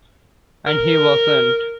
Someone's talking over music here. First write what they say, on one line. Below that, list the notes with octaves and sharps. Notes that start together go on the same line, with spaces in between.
And he wasn't.
A#4